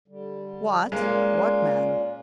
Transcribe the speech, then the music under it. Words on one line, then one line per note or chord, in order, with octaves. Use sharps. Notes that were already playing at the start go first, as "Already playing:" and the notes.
"What--what man?"
D3 G3
A#2 G#3 A#3 C#4 F4